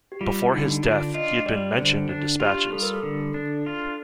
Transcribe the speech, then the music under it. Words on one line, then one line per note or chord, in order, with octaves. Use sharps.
Before his death, he had been Mentioned in Despatches.
G4
G3 F4
D3 D#4
D4 F4
F4 D#5
G3 D5
D3 C5
D4
F4 G4
G3 A4
A#4
A4
D3
D4
F4